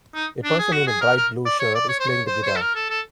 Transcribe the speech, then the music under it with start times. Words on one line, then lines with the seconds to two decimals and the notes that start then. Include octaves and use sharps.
A person in a bright blue shirt is playing the guitar.
0.15 D#4
0.44 D4
0.59 G#4
0.72 F#4
0.87 G#4
1.01 A#4
1.17 A#4
1.45 D5
1.60 C#5
1.75 D5
1.89 C#5
2.00 C5
2.08 C#5
2.27 C5
2.43 C#5
2.46 C5
2.56 A4
2.61 A#4
2.75 A4
2.90 A4